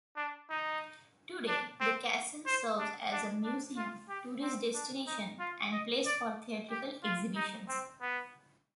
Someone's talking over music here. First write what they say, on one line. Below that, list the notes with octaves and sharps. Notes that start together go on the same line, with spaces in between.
Today the castle serves as a museum, tourist destination and place for theatrical exhibitions.
D4
D#4
D4
C4
C5
D4
D4
D4
F4
G4
C4
D4
D#4
F4
D#5
D5
G4
F4
D#4
C4
B3